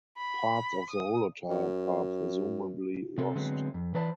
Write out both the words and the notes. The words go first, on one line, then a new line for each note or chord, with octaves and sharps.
Parts of the Holotype are presumably lost.
B5
D#6
F#2
C3 C4 A4
D3 F#3 G#3 B3 C4
F2
E3 B4 C5 D5 A5